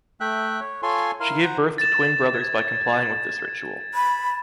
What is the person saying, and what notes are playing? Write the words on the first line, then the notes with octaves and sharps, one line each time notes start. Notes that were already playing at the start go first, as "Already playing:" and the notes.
She gave birth to twin brothers by complying with this ritual.
A3 E5 G5 F#6
C#5
F4 A4 C#5 G#5 C6
E4 A#4 F5 C6
C5 F#5 A#5
A6 E7
G#6
B5